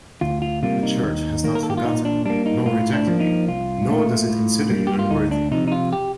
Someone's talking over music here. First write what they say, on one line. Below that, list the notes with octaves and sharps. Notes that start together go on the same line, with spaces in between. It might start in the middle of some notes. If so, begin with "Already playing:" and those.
The Church has not forgotten nor rejected you, nor does it consider you unworthy.
D2 F4
F4
C3 G3 A#3 F4
D#4
D#2
D#3 A#3
A#4
A4
G4
F4
A#2 D#4
D4
G3 A#3 D4
D#4
A2 F4
D4
F3 A#3
D#4
C2 F4
A#2 A3
A2
G3 A#3
G4
F4
D2 D#4
D4
C3 F3 D#4
D#4
F4
G4